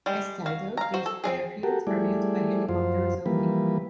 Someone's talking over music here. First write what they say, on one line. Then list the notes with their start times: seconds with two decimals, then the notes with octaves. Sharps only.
As titled, these airfields are used by helicopters only.
0.06 G3 G#3
0.46 F#4 F5
0.77 F5 A#5
0.94 F#4 C5
1.06 A4
1.24 C4 D#4 G#4
1.63 F#4 G4 A4 A#4
1.87 G3 A3 E4 G#4 D5
2.69 F#2 F3 F4 C5
3.26 E3 F3 G3 A#3 B4